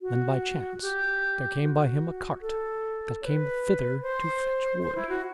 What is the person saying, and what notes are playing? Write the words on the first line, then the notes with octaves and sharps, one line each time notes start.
Then by chance there came by him a cart that came thither to fetch wood.
F#4
G4
F#4
A4
C#5
B4
C5
C5
E4
F#4